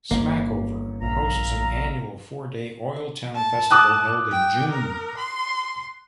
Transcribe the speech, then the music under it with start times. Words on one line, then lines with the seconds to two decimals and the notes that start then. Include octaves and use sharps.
Smackover hosts an annual four-day Oil Town Festival held in June.
0.11 G1 A#3 C#4
1.01 A#1 E5 F5 A#5
3.35 A5
3.71 D6 D#6 F#6
4.31 G5
4.71 A#4
5.17 C6